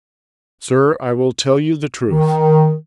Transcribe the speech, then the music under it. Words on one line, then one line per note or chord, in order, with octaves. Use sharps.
'Sir, I will tell you the truth.
D#3